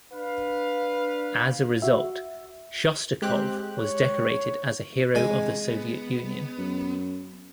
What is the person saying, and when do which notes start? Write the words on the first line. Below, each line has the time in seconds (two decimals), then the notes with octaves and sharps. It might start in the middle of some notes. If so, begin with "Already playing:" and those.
As a result, Shostakov was decorated as a hero of the Soviet Union.
0.13 D4 B4 F5
1.82 F#4 E5
3.22 G#3 C4 G4 F#6
3.77 C#5
5.15 C3 E3 G#3 G#5
5.68 B3
6.58 F#2